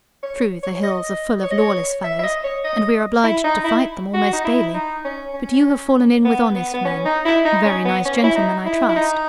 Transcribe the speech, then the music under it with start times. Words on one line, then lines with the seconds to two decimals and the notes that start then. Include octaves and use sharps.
True, the hills are full of lawless fellows and we are obliged to fight them almost daily, but you have fallen in with honest men--very nice gentlemen, I trust.
0.23 C#5
0.63 C#5
0.83 D#5
1.43 C#5
1.51 D#5
1.58 C#5
2.04 E5
2.19 E5
2.23 D#5
2.44 C#5
2.64 D#5
3.24 E4
3.44 D#4
3.64 E4
4.14 F#4
4.33 D#4
4.45 E4
4.74 D#4
5.05 C#4
5.34 C#4
6.25 B3
6.55 B3
6.74 B3
6.85 C#4
7.05 D#4
7.25 E4
7.45 D#4
7.65 C#4
7.85 B3
8.05 C#4
8.24 E4
8.35 D#4
8.66 E4
8.89 E4
8.96 D#4